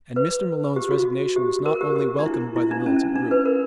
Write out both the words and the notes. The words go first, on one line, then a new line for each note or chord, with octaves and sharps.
And Mr. Malone's resignation was not only welcomed by the militant group.
B4
G4
F#4
G4
A#4
G4
G4
D4
E4
E4
D4
C#4
C#4
D4
D4
B4
A#4